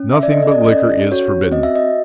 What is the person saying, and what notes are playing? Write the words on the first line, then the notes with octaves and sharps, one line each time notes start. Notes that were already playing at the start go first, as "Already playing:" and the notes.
Nothing but liquor is forbidden.
Already playing: C#4
E5
D5
A4 D#5
D#5
D5
D#5
C#4 D5
F#4 C#5
C4 D#5
E5
D#5